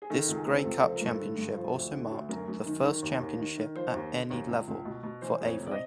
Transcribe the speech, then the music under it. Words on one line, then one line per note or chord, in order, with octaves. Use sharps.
This Grey Cup championship also marked the first championship at any level for Avery.
G#4
D#3 A4
C#2
G#4
C3
A4
C#2
F3 A4
A#4
G2
A4
D3
G2
F3
D2
D3
D2
F#2 A#4
F#2
D#3
D#3
D#2
D#2
D#3
D#3
F3 C5
D#2
D3
D#2
C#2
C#2
B2
B2
E3 C5
F2
C#5
C3
D5
D#5